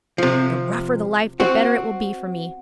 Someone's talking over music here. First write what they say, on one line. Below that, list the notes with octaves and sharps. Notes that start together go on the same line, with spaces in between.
The rougher the life, the better it will be for me.
C3 F3
C4 F#4